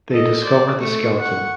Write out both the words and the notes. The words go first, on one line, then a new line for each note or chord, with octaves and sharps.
They discover the skeleton.
A4 D#5
C5 D5
A3 C#6
F#5 C#6